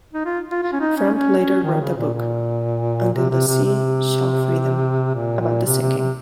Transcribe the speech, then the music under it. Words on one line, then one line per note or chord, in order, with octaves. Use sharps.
Frump later wrote a book, "Until the Sea Shall Free Them", about the sinking.
D#4
F4
F4
F4
C#4
D#4
C#4
C#4
C#4
D#3
C#3
A#2
A#2
C3
C3
C3
C3
A#2
A#2
C3
C3
C3